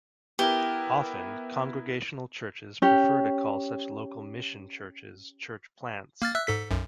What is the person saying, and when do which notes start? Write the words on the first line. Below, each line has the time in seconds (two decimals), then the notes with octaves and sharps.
Often congregational churches prefer to call such local mission churches church plants.
0.39 B3 E4 G4 A#4
2.82 C#4 G4
6.22 A#3 F6 A6
6.35 E5 E6 F#6
6.47 G#2 A4 B6
6.71 B1 F#2